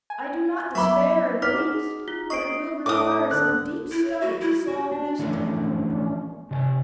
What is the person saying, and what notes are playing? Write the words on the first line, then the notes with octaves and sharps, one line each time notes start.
I do not despair in the least, but it will require some deep study to solve this difficult problem.
G#5
F#3 B3 E5 B5 C#6 D6
D#4 C#5 D6 F6 B6
F#4 G#4
F4
D#5 C#6 C7 D7
A2 D6 D#6
D3 F#6
E4
C#5
F#4
E4
F#4 G4
D4
E3 F3 A3 C#4 D4
C3 D5 G#5